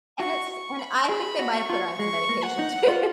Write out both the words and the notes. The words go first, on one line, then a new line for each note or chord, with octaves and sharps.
and it's and I think they might've put her on some medication too,
F#4 C#6
C#6
B5
G#4 B5
F#4
C#6
F4
G#3 C#6
A#3
F#5
D#4
F4